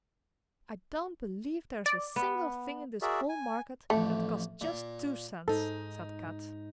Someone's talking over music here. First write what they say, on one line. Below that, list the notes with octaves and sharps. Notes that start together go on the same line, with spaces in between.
"I don't believe there's a single thing in this whole market that costs just two cents," said Kat.
D5
B3
F#4 G#4 A#4 D5 E5
G#5
A1 F2 A3
A#2
G#2 D#4 A4